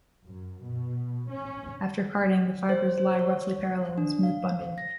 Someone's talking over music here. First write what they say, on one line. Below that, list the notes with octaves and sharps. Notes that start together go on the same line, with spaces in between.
After carding, the fibres lie roughly parallel in smooth bundles.
F#2
B2
C#4
C5
C5
C#5
D4
F5
A#6